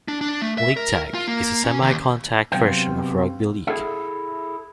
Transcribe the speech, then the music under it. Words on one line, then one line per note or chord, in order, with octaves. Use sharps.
League tag is a semi-contact version of rugby league.
D4
D4
A3
E5
A#4
F4
A#3
C#4
D#2
C3 F#3 B3 C5 F5 G5
E4 G#4 A4 E5